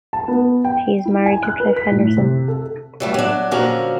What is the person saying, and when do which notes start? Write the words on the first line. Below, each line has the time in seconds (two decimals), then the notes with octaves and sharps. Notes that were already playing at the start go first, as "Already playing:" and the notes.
She is married to Cliff Henderson.
0.13 A5
0.28 B3
0.65 G5
1.05 E4
1.26 G#5
1.43 F#6
1.60 B4
1.76 B6
1.91 A2
2.17 C3
2.48 A4
3.00 F#3 G3 A3
3.14 F#3 D4
3.51 A#2 D3 F3 C#4 F#4 A#4